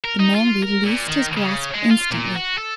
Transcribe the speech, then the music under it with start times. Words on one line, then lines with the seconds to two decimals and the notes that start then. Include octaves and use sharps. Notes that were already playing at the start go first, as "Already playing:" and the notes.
The man released his grasp instantly.
0.04 A#4
0.19 D#4
0.35 F4
0.62 A#4
0.84 A#2
1.08 D#3
1.37 C#3
1.74 G#3
1.90 F4
2.10 A#2
2.35 F#4
2.57 A4